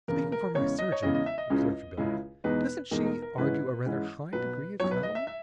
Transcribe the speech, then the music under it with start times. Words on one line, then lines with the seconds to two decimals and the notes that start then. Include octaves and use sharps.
"Speaking for my surgeon," observed Billie, "doesn't she argue a rather high degree of development?"
0.08 E1 E2 C#3 A#4
0.32 A#4
0.55 E2 C#3 G#3 C#4 E4 C#5
0.79 D#5
0.92 C#5
1.02 E2 C#3 G#3 C#4 E4 D#5
1.15 D#5
1.26 E5
1.38 D#5
1.50 C#2 C#3 G#3 C#4 E4
1.97 C#2 C#3 G#3 C#4 E4
2.44 E2 B2 G#3 D#4 B4
2.91 E2 B2 G#3 D#4 A#4
3.06 A#4
3.22 A#4
3.38 G#2 E3 G#3 C#4 E4 B4
3.86 G#2 E3 G#3 C#4 E4
4.33 B1 B2 F#3 B4
4.80 B1 B2 F#3 C#5
4.91 B4
5.03 D#5
5.15 E5
5.27 E5